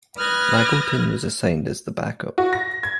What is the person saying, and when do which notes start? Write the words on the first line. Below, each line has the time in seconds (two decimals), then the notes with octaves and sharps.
Magilton was assigned as the back-up.
0.18 B4 D#6 F6 F#6 G#6 A#6
2.38 F#4
2.53 A#6
2.83 G#6